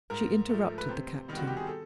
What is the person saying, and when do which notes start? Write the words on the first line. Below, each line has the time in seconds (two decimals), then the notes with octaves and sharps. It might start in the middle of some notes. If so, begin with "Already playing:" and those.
She interrupted the Captain.
0.10 G#2 A#4
0.49 F3 A3
0.78 B4
0.88 C3 C5
1.28 D#3 G3 B3
1.37 F#4
1.47 G4
1.57 G#4
1.67 A4